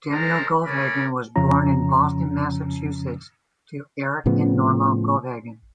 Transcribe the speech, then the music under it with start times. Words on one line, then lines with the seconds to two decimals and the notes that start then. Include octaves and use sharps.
Daniel Goldhagen was born in Boston, Massachusetts to Erich and Norma Goldhagen.
0.11 G#3 A4 A#4 C5 A5 A#5
0.65 A3 C#4 A#4 C#5 D5 B5
1.36 F2 C#3 F3 C#4 A#5
4.26 A2 C#3 F3 B3